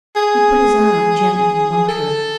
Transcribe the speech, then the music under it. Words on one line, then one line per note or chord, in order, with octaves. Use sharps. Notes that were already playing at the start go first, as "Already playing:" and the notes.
He put his arm gently about her.
G#4
A4